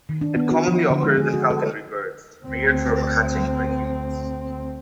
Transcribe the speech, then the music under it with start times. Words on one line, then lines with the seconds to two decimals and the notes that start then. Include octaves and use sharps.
It commonly occurs in falconry birds reared from hatching by humans.
0.09 D#3
0.21 D4
0.36 B3
0.51 F#4
0.68 F3
0.90 D3
1.03 G#3
1.17 G#4
1.34 F#4
1.50 A4
2.46 D2 C4